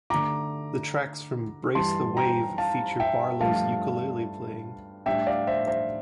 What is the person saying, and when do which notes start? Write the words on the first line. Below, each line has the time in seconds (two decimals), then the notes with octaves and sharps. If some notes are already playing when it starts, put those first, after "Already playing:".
The tracks from "Brace the Wave" feature Barlow's ukulele playing.
0.10 D3 A3 D4 A#5 D6
1.75 G2 E3 G3 A5 C6
2.17 G5 A#5
2.58 F5 A5
3.00 E5 G5
3.41 G2 F3 A3 D4 F5 A5
5.06 A2 G3 D4 E5 G5
5.27 D5 F5
5.47 C5 E5
5.67 C5 E5